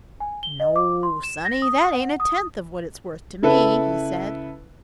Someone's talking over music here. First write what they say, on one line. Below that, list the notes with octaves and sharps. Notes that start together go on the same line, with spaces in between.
"No, sonny, that ain't a tenth of what it's worth to me," he said.
G#5
G7
D#5
D6
C6
E7
A#6
D#6
F#5
D#6
C#3 E4 A4 B4